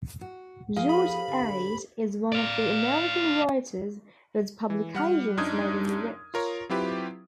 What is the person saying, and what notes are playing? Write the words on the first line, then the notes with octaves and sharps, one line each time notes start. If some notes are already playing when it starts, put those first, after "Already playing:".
George Ade is one of the American writers whose publications made him rich.
F#4
F3 B3 G#4 F5
G4 A4 C5 B5
D3
D5 F5
E3
G3 F#5 F6
F#2 D4 D#4 D#6 G#6
F4 A#4 C#5
F#3 C4 E4 F4 G4 B4